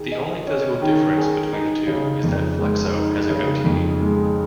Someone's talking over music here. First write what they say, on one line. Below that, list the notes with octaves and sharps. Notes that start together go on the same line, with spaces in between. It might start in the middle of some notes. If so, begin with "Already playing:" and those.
The only physical difference between the two is that Flexo has a goatee.
Already playing: D#3 G#4
D#5
C#4
D#3
G#4
D#4
C#3
F2
G#3
D#4
C#3
F2
G#3